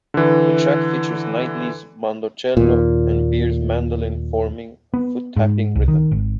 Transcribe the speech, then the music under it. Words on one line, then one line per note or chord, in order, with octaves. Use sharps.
The track features Knightley's mandocello and Beer's mandolin forming a "foot tapping" rhythm.
D3 E3
D#2 A#2
B3
G#2
C2
D#3
G#1